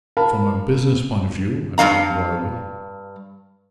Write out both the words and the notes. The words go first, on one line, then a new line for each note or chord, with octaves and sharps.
"From a business point of view----" I began dryly.
A#4 F5 A5 B5
G2 B3 F5 A#5